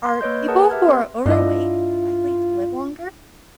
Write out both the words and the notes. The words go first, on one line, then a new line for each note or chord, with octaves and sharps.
Are people who are overweight likely to live longer?
C6
A#3 B4 C#5 D#5 G6
G#4 A#4 B4 F#5 A5 D#6
G4 E5 F6 G#6
C4 B4 C6
G2 D4 E4 F4 D#5